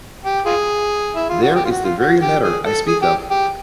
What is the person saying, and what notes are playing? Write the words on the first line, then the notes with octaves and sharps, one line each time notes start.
There is the very letter I speak of.
G4
F4 G#4
E4
F4
F#4
G4
F4
F#4
F4
F#4
G4
G#4
A4
G#4
G4
G4